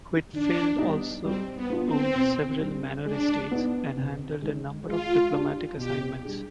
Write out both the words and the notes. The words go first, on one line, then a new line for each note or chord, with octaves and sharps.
Huitfeldt also owned several manor estates and handled a number of diplomatic assignments.
D#3 D4
G3 B3 D#4
G3 C4
B3
B3 D4 F4
C4
B2
G3 D4
G#3 D4
B3 D#4
C3
D#3 G#3
G#3 F4
D4
G4
B2 G4
G3 D4 G#4